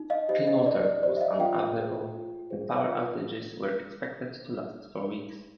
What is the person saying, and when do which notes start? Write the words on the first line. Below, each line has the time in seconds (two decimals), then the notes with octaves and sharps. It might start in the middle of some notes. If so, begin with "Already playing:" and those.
Clean water was unavailable, and power outages were expected to last for weeks.
Already playing: D#4
0.10 D#5 F5
0.29 G4 C5 D#5
0.47 D#5
0.66 D#4 D5
0.84 D5
1.03 G4 C5 D5
1.17 E5
1.21 D#5 F5
1.40 F4 F5 G5
1.76 G#4 C5
2.13 F4
2.50 G#4 C5
2.87 F4